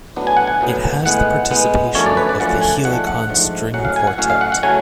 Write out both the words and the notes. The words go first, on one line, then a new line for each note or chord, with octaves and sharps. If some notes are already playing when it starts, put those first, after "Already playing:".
It has the participation of the Helicon String Quartet.
A2 F#3 B3 D4
G#5
F#5
G#5
A2 F#3 B3 D4
A2 G#3 B3 F#5
A2 G#3 B3
F#2 D3 F3 A3 C#4 C#5
D5
B4
D5
F#2 D3 F3 A3 C#4 F#5
G#5
G#2 F3 A3 D4 F#5
F#5
G#2 F3 A3 D4
A2 F#3 C#4 F#5
F5
G#5
F#5
A2 F#3 C#4 F5
F5
F#5
F#5
C#3 F#3 A3 C#4 G#5